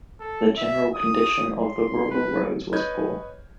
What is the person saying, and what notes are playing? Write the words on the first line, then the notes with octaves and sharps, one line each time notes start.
The general condition of the rural roads was poor.
A4
E5
D#6
C6
B4
B4 C#5 D#5 G6 G#6